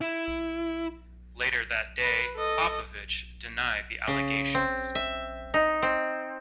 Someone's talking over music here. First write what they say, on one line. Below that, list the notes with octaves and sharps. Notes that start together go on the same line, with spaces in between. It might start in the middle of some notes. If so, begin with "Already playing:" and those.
Later that day Popovych denied the allegations.
E4
B4
A4 D#5
C#3
C4
E5
D#4
C4